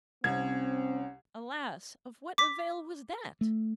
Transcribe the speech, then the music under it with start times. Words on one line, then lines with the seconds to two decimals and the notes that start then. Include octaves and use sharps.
Alas! of what avail was that?
0.24 C2 C4 C#4 G#6
2.38 D6 B6
3.41 A3